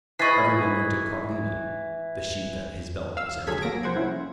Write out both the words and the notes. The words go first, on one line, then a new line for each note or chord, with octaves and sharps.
Every one looked at Carlini; the sheath at his belt was empty.
E3 G#4 D#5 B5 C#6 A6 C7
F5 E6
D2 F#3 G#4 A4 G#6 B6
F#3 A#3 A4 A#6 D7
C2 F3 C5 F#5 G#6
C#4 E4